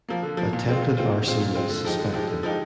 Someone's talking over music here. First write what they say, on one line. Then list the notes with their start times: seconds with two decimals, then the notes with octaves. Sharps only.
Attempted arson was suspected.
0.09 F3 A#3
0.23 D3
0.37 F3 A#3
0.53 A#2
0.68 G#3 C4 F4
0.82 A#2
0.97 G#3 C4 F4
1.11 A#2
1.26 G#3 C4 F4
1.40 A#2
1.55 G#3 C4 F4
1.69 D3
1.84 F3 G#3 D#4 G4
1.99 D3
2.14 F3 G#3 D#4 G4
2.28 D3
2.43 F3 G#3 D#4 G4